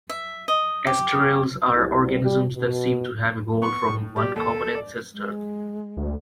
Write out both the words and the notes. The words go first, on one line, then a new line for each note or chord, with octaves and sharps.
Asterales are organisms that seem to have evolved from one common ancestor.
E5
D#5
G4
C2
G3
B2
B3 C#6
A2
G3 G4 D5
D#2 A4
D5
G#3
D2